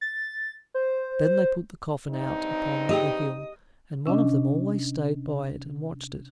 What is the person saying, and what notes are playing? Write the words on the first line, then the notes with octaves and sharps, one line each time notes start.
Then they put the coffin out upon the hill, and one of them always stayed by it and watched it.
A6
C5
G2 C4 D#4
G4 G#4 D#5 G5
C3 C#4 D4 D#5